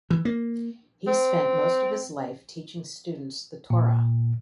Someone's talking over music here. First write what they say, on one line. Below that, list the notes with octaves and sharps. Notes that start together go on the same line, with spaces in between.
He spent most of his life teaching students the Torah.
E3
A#3
C4
A#2